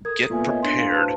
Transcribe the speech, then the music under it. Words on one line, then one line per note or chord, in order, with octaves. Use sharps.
get prepared
A4 A#4 D#6 G#6
A#2 B3 B4 E5 G#5
C#5 D#5
A2 D4 C6
F5 A#5
F#4 B4 C5 A5